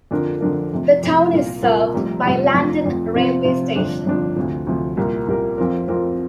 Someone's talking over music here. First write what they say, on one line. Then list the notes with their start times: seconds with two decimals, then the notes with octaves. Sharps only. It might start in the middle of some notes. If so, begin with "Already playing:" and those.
The town is served by Landen railway station.
0.11 F2 D3 F3 D4 A#4
0.41 F2 D3 F3 D4 A#4
0.72 F1 F2 C3
1.02 F1 F2 C3
1.33 C2 A#2 A#3 F4 A#4
1.62 C2 A#2 A#3 F4 A#4
1.93 F1 F2 C3 G3
2.23 F1 F2 C3 G3
2.54 F1 F2 F3
2.85 F1 F2 F3
3.15 C3 F3 C4 F4
3.45 C3 F3 C4 F4
3.76 G1 F2 F3 D4
4.06 G1 F2 F3 D4
4.36 D2 C3 F3
4.67 D2 C3 F3
4.97 C2 A#2 A#3 G4 A#4
5.28 C2 A#2 A#3 G4 A#4
5.58 F2 F3 C4 F4 A#4
5.88 F2 F3 C4 F4 A#4